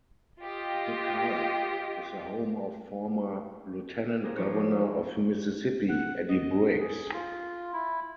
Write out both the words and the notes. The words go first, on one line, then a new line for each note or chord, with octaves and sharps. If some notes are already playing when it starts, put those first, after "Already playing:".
De Kalb is the home of former Lieutenant Governor of Mississippi Eddie Briggs.
F4 G4 D#5
G4 G#4 A#4 C5 F5
F3 D4 D#4 G4 C5 C#5
D5
F#5
D#5
G#4
F4
E4